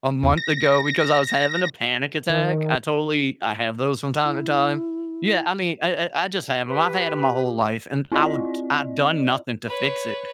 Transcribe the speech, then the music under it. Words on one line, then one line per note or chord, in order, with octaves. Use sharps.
a month ago because I was having a panic attack, I totally I have those from time to time. Yeah, I mean, I I I just have 'em, I've had 'em my whole life, and I would I've done nothing to fix it,
E2
A#6
D#3
E4
G4 B4
C4 E4 F4 D5 D#5
B4 C#5